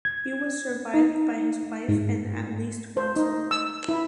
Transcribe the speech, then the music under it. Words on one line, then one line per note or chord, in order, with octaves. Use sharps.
He was survived by his wife and at least one son.
G#6
D#4
G#2
C5
D#4
E6
E4